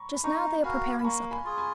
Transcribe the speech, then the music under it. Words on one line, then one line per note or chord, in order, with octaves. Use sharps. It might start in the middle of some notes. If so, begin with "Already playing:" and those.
Just now they are preparing supper.'
Already playing: A#5 B5 C#6
B5
D#4 A#5 C#6
F#4 A#4 F5 G#5 B5
B5
A#3 A#5 C#6
G#5 B5
F4 G#4
G#5 B5